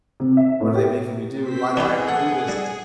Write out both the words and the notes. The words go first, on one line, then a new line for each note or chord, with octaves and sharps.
what are they making me do? Why do I have to do this?"
C3
E5
A2
G4
C4 C5 B6
E3 D4 D#4 G4 G#4
A4 F#5
G3